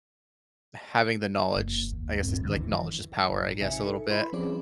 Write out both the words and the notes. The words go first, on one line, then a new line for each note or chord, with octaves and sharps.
having the knowledge, I guess is, like, knowledge is power, I guess, a little bit,
F#1 A#3
D#2
D1 G2 C4
G1 D#2 D3
E3
A1
C3 D#4 E5 G#5 C#7
A4
E4 B4 B5 C6
F3 G3 C4 C#4 G#4 D5